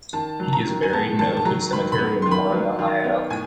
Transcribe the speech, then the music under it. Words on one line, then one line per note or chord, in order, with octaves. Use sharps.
He is buried in Oakwood Cemetery in Warren, Ohio.
D#3 A5
F#3
A#5
D#3
G#5
B3 A5
D#3 A5
A5
F#3 A#5
D#3 B5
B5
B3
D#3 C6
B5
F#3
D#3
B3
A2 G#5